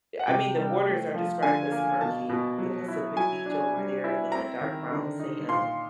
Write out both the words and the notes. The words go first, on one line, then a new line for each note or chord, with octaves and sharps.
I mean, the waters are described as murky, the Pacific Beach over there, and then the dark brown sand.
F#5
C3 G5
G3
A3
F3
D3 G#5
A#3
B2 A5
B2
F#3
E4
F#3 G#5
D4
G3
E4
C4 A#5
D#3
D3
D#4
A#2 C6